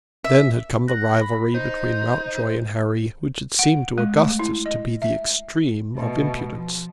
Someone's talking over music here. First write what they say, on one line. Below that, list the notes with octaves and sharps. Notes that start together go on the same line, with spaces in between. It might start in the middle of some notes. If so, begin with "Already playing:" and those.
Then had come the rivalry between Mountjoy and Harry, which had seemed to Augustus to be the extreme of impudence.
E5
F#6 A#6
B5
D#4 C5 G6
F#5
G#3
A3
E4
D#5
E5
B2 A3
F3